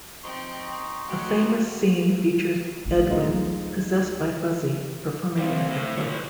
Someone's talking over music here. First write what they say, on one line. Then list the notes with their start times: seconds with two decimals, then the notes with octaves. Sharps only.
A famous scene features Edwin, possessed by Buzzy, performing at the Club.
0.24 F3 C4 D#4 C6 C#6
1.07 D2 F#3 F#4 G4
2.85 A1 D3
3.10 D2 F#3 G#3 D#4 F4
5.39 G3 C4 C5 F5
5.70 A2
5.98 B4 C#5